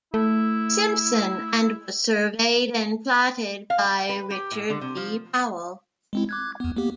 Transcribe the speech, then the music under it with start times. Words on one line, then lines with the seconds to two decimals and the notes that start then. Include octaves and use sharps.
Simpson and was surveyed and platted by Richard V. Powell.
0.14 A3 E4
3.70 F5
3.85 G5
4.09 B4
4.31 G4
4.52 A2
4.70 D3
4.81 C3
4.97 F3
6.13 G#3 C4 E4
6.29 D6 F#6 G#6
6.60 E2 B3
6.76 A#3 B3 G4